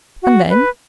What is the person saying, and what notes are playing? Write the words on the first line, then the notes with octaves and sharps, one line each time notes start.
"And then?"
F#4
B4